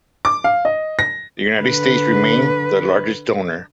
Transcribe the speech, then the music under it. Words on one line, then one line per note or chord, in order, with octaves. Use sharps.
The United States remain the largest donor.
D6
F5
D#5
A#6
D3 B4